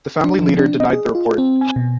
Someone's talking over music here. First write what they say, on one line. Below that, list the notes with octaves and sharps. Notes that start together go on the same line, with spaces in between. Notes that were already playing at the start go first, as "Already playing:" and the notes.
The Family Leader denied the report.
D4
F3
D4
D#5
G#4
F4
C4
G#5
B2